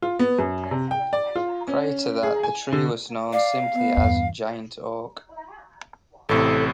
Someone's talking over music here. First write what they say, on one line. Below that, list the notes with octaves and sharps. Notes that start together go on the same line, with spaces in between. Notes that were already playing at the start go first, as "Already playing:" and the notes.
Prior to that, the tree was known simply as Giant Oak.
F4
B3
F#2
C3
G5
D5
F4
C#4
G#4
G#5
D3
D5 F5
B3
E2 G2
A1 A2 C3 A4